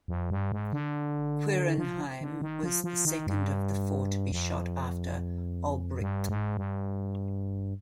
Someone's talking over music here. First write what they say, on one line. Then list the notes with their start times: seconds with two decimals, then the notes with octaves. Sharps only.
Quirnheim was the second of the four to be shot, after Olbricht.
0.08 F2
0.30 G2
0.52 G#2
0.73 D3
1.78 F3
2.21 D3
2.42 D#3
2.63 F3
2.84 F3
3.05 D#3
3.27 G2
4.32 F2
6.01 G2
6.29 G#2
6.57 G2